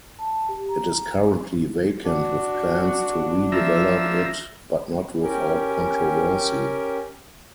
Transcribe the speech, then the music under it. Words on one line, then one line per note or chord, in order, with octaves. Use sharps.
It is currently vacant with plans to redevelop it but not without controversy.
A5
G4
A#5
D4 F#4
F3 E5 A#5 E6
C#4 G4 A#4 G5 G#5